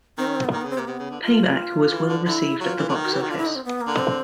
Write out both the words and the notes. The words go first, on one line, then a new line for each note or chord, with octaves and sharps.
"Payback" was well received at the box office.
D#3 C4
C#4
C4
B3
D#3 A#3
C#3 B3
C4
C3
A#3
C3 B3
C#3
D3
F4
E3
D3
D3 E4
F#3 F4
E3
D3
D#3
F#4
E3 G4
D#3 F#4
D3 F4
E4
D#4
C4
B3
A#3
D3
C4